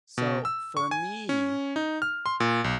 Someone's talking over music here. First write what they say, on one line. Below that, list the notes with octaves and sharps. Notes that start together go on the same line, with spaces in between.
So, for me,
B2
E6
C#6
G#5
C#4
D#4
F6
C6
A#2
B1